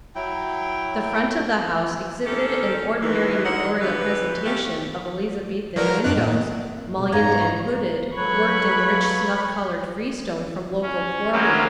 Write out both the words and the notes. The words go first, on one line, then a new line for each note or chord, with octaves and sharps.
The front of the house exhibited an ordinary manorial presentation of Elizabethan windows, mullioned and hooded, worked in rich snuff-colored freestone from local quarries.
F#3 E4 G5
D#3 C#4 G4 A4
D#2 D#3 E3
D3 D#4 A#4 F#5
B2 D3 E3 G4 B4
A3 C#4 E4 F4 G4
F3 F#3 A#4 B4 D5
F#2 D4 D#5 F#6
A2 A#3
B2 G#3
G#2 C#4 D#4 B4 C#5 F5 A#5 G#6
F#3 G#3 F4 A4 B4 C#5 B5 C#6
C#4
E3 F#3 G#3 A#3 C4 C#4